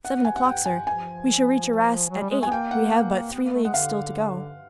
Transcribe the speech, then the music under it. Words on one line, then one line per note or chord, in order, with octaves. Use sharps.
"Seven o'clock, sir; we shall reach Arras at eight; we have but three leagues still to go."
F#5
G#5
F#5
G5
G#5
F3 G#5
F#3
G3
G#3
A3 G#5
B3
A#3 G5
F#5
B3
A#3
A3
G#3 F#5
D3 F5